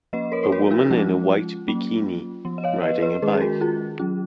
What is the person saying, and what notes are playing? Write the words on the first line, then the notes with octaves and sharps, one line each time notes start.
A woman in a white bikini riding a bike.
F3 A#3 C#4 B4 D#5
A#4 C#5
B4
F#4 A#4
D#4 F#4
F3 G#3 C#4 F4
F#3 A#3 C#4
F3 B3
D#5
C#5 F5
B4 D#5
B4 D#5
D#3 G#3 C#4 G#4 B4
G#4
F#4 A#4
F4 G#4
F#3 C#4 F4